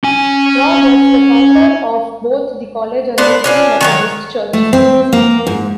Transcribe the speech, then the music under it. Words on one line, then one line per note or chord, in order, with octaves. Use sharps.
Roberts, the founder of both the college and the Free Methodist Church.
C#4 G#5
B3 D4 C5
C#4 D4 F4
D#3 F#3 C#5
A3
C4
A#3
G#2